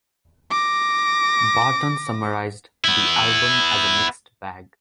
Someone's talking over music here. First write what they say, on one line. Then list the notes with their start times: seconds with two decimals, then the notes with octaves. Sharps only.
Barton summarised the album as "a mixed bag".
0.51 D6 A#6
2.85 B3 E4